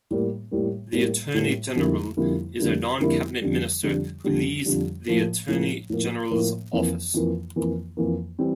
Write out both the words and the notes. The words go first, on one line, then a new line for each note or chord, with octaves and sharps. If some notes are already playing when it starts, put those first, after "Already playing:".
The Attorney General is a non-cabinet minister who leads the Attorney General's Office.
A2 G3 A#3
A2 G3 A#3
A2 G3 A#3
A2 G3 A#3
F2 D3 G3 A#3 E4
F2 D3 G3 A#3 E4
F2 D3 G3 A#3 E4
F2 D3 G3 A#3 E4
F2 D3 G3
F2 D3 G3
F2 D3 G3
F2 D3 G3
A2 F3 A#3
A2 F3 A#3
A2 F3 A#3
A2 F3 A#3
F2 E3 A#3
F2 E3 A#3
F2 E3 A#3
F2 E3 A#3
E3 G3 C4